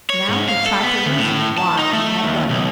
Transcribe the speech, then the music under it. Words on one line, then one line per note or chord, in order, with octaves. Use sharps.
Now he tried to reason why he had run.
C#5
G#2
F5
A4
B3
D2
A2
A5
D#4
A3
D#2
B1